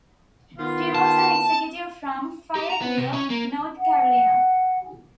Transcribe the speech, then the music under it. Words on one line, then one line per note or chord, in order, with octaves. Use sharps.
She was an executive from Fayetteville, North Carolina.
D#3 B3 F4
A5
G4
A#5
B3
C3
C#4
A#3
F#5